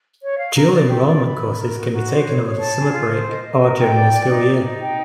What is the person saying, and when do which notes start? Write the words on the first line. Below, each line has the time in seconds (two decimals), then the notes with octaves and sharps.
Dual-enrollment courses can be taken over the summer break or during the school year.
0.21 C#5
0.38 F5
0.55 A#4
0.72 D5
0.89 G4
1.07 D5
1.24 B5
1.41 A#4
1.58 A#4
1.75 F#4
1.92 F#4
2.09 C5
2.26 C#5
2.43 C#5
2.59 A5
2.77 G#4
2.93 F4
3.10 C5
3.27 D#5
3.44 D#5
3.62 A#4
3.79 G5
3.96 D5
4.13 D5
4.30 D#4
4.47 D#4
4.64 D#4
4.80 G5